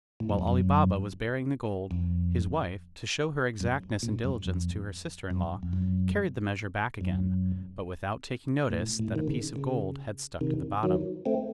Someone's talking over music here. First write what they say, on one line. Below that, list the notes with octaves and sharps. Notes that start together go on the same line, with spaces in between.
While Ali Baba was burying the gold, his wife, to show her exactness and diligence to her sister-in-law, carried the measure back again, but without taking notice that a piece of gold had stuck to the bottom.
A2
F#2
F2
F#2
F2
F#2
A#2
F#2
F2
F#2
F2
F#2
F#2
A2
A2
D#3
C#3
C#3
C3 D#3
D#3 F#3
A3 C4